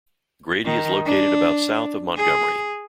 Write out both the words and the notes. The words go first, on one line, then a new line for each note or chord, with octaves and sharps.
Grady is located about south of Montgomery.
D#3
D4
G#4